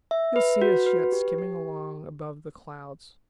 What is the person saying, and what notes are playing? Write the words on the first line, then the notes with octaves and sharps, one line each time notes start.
"You'll see us yet skimming along above the clouds."
E5
B4
F#4
B4
G4
G4